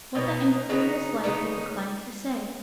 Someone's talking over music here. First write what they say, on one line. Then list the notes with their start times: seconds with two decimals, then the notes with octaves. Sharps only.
What that interview was like we decline to say.
0.15 B2 F#3 B3 D#4
0.69 C#3 F#3 B3 D#4
1.24 C#3 F#3 B3 D#4